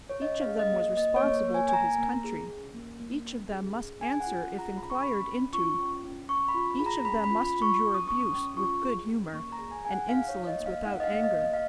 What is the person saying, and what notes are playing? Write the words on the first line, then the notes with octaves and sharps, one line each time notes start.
Each of them was responsible to his country, each of them must answer if inquired into, each of them must endure abuse with good humour, and insolence without anger.
C#5
C#4 D#5
F5
G#4
D#5
A#3
D#5
A#3 D#5
C#5
A#3
C#5
A#3
G#5
G#5
A#3 A#5
A#3
G#4
C#4
A#3
A#3
C#4
G#4
G#4
C#4 G#5
F#5
F4
F#5
G#4
A#5
C#4 B5
C#6
C#4 B5
C#4
F4 C#6
C#4
C#4
C#4 C#6
B5
F4
G#4 B5
A#5
C#4 B5
B5
F4
B5
F4
C#6
C#4
D#6
C#4 C#6
D#6
C#4
F4 C#6
G#4
C#4
A#3 C#6
A#5
G#4
G#5
G#4 G#5
F#5
D#4 F5
C#5
D#4
D#5
A#3
F5
D#4 F#5
D#5
F5
A#3
D#5
A#3
D#5
F5